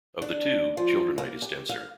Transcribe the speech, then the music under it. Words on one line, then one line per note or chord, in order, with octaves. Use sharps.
Of the two, childrenite is denser.
D4
F3
A#3
G4
F5